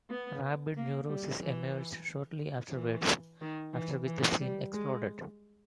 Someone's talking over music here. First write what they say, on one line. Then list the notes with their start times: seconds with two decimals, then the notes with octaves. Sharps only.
Rabid Neurosis emerged shortly afterwards, after which the scene exploded.
0.10 B3
0.77 A#3
1.09 G3
1.42 E3
2.75 E3
3.41 D#3
3.73 E3
4.06 E3
4.41 G3
4.72 G#3